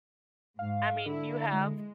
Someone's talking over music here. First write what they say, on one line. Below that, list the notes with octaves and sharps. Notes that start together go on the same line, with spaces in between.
I mean, you have
G#2 F5
D3 E4
G#3